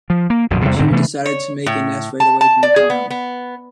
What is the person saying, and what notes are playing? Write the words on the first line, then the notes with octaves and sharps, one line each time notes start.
She decided to make a nest right away from the farm.
F3
A#3
A#1 F#2 B2 D#3
E2 C3 G3 C4
G#2 D3 D#3 C4
C3 E3 A3 B3
C#5
A2
A5
A5
D5
G#4
B3
B3